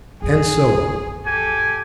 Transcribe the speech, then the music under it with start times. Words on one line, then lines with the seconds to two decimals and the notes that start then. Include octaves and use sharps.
And so on.
0.22 A1 F2 G#4
1.26 G4 A4 G#5